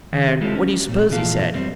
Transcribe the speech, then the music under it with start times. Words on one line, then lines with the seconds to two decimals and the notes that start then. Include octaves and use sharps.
And what do you suppose he said?
0.13 D#3
0.41 G#3 C4 E4 F4 G4 A4
0.55 C#4
0.88 A#2 C4
1.10 E2 A#2 E3 F3 A4 F5
1.54 F#2 G3 B3 C4